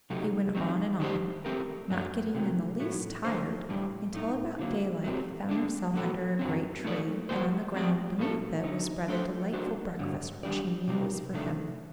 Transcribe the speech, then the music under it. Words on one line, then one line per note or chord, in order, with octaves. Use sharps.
He went on and on, not getting in the least tired, until about daylight he found himself under a great tree, and on the ground beneath it was spread a delightful breakfast, which he knew was for him.
C3 F#3 A3 D#4 G4
F#3 C4 D#4
D#3 G3 D4 G4 C5
A3 C4 G4 A#4
F#2 F#3 A3 D4
C3 D#3 F#3
A2 F#3 A3
D#3 A3 D4 A4 C5
A2 G3 D4 G4
A2 A3 D#4
D3 F#3 A#3
F#3 A3 C4 G4
D3 A3 D4 A4
F#3 A#3 F#4 A4
F#2 D3 F#3 C4
A3 D#4 A4 D5
G3 A#3 F#4 C5
A3 C4 G4 D5
A2 G3 A#3 D#4 A4
D3 A3 D#4
A3 D4 A4 C5
F#3 A#3 D4 F#4 C5
G2 D3 F#3
D#3 G3 D4 G4 D5
C3 G3 C4 D#4
C3 D#3 A3 D4